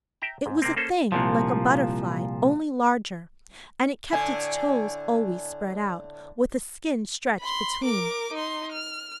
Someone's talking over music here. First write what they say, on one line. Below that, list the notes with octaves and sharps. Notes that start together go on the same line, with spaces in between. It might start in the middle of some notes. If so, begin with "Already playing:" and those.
'It was a thing like a butterfly, only larger, and it kept its toes always spread out, with a skin stretched between.'
E5 G5 A#5
G#2
C3 A#3 C4
A#3 C#4 A4 C5
C2 A#2 F3
A2 D3 G#5
B5 C6
A#4 D6
D#4 C6
F6